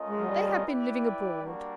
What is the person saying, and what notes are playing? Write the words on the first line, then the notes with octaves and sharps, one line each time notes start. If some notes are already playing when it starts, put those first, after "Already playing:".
'They have been living abroad.
Already playing: A3 C#4 F4 A#4 D#5
G#3
F#3
G3
E4 G4 B4 D5 G5
G3 A#3 D4 F#4 A#4